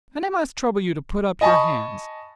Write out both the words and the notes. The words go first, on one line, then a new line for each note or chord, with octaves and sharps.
And--I must trouble you to put up your hands.
D#5 G#5 A5 B5 C#6